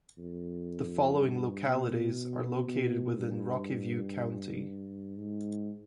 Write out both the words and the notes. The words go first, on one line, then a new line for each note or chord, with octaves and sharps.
The following localities are located within Rocky View County.
F2
G2
B2
B2
G2
G#2